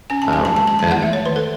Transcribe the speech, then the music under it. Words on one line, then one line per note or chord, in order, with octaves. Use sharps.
um, and
C#4 G#5
A5
F#3 G#5
A5
G#3 A5
A5
D#3 A5
F#5
A3 E5
C#5
D#3 B4
A4